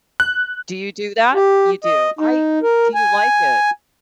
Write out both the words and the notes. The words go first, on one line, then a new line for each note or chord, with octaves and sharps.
Do you do that? You do, I Do you like it?
F#6
G4
D#5
D#4
A#4
G#5